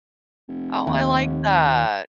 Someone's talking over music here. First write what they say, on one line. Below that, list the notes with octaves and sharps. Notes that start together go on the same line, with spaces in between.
Oh, I like that.
F1
D#2